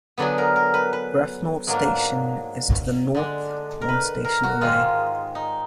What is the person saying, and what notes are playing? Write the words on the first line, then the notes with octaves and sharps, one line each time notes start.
Grafenort station is to the north, one station away.
D3 F#3 B3 D4 G#4
A#4
A#4
B4
B4
G#2 F#3 A#3 D4
D3 G#3 D4
A#4
B4
A#4
F#4
G#2 D#3 G#3 F4
D#4